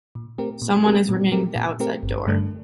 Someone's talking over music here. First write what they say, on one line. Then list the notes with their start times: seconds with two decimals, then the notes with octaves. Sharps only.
Someone is ringing the outside door.
0.15 A#2
0.38 A3 C4 G4 A#4
0.62 A#2
0.85 A3 C4 G4 A#4
1.09 A#2
1.32 A3 C4 G4 A#4
1.56 A#2
1.80 A3 C4 G4 A#4
2.03 G1
2.26 G2 D3 A3 D4